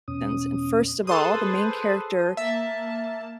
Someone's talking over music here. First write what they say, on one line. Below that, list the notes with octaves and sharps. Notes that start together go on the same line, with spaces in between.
And first of all, the main character,
E2 B2 C#4 D#6
G#4 A4 B4 C5 C6 D#6
A#3 E5 A5